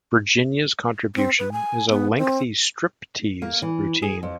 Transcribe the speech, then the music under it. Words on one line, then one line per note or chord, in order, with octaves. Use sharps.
Virginia's contribution is a lengthy striptease routine.
C4
B4
G#5
B3
C4
A#3
E3
G#4
F2